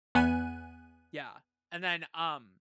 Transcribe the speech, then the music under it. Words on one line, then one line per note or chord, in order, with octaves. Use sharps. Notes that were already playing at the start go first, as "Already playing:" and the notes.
Yeah, and then, um
E2 B3 G#5 F#6 D#7